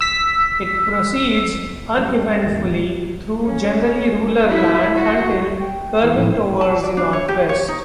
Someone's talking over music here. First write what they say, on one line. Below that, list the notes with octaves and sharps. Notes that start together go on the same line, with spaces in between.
It proceeds uneventfully through generally rural land until curving towards the northwest.
E6 B6
F#2 G3
A#3 C4
D#2 A2 G4 E5 G#6 A6
E1 F2 A#2 B3
C#4
E4
F#4
G5
E2
A2 F3 B3 C#4 D#4
A5
D5
D4
C#5
G4
C#5
D#4